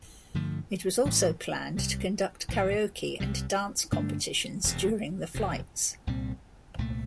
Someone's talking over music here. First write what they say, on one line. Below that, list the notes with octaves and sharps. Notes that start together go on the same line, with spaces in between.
It was also planned to conduct karaoke and dance competitions during the flights.
G2 D3 F3 A3
A1 A2 E3 G3
C2 C3 G3
A#1 A2 E3
C2 C3 G3
G2 D3 A3 D4
E1 E2 C3
F1 E2 C3
C2 A#2 G3 C4
C2 A#2 A3